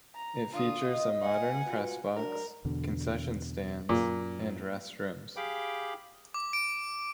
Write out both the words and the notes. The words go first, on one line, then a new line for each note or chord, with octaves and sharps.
It features a modern press box, concession stands and restrooms.
A#5
D3 F4 D#6
D#5
F#5 G#5
F4 F#4 B4
F#3 D4 A#4
E2 B2 D3
F#2 A#2
G4 G#4 F5 G5 B5 D6
D6
D7